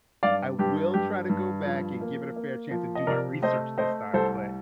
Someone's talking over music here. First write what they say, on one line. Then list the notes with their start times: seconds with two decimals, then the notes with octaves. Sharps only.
I will try to go back and give it a fair chance, and do my research this time, but,
0.23 G2 D5 F5
0.59 G2 G4
0.94 G2 G4
1.30 G2
1.65 F3
2.01 A#3
2.36 A#3
2.71 F3
2.95 D#5
3.07 C3 A#4 D5
3.42 A3 C5 D#5
3.78 A3 C5 D#5
4.14 C2 A4 C5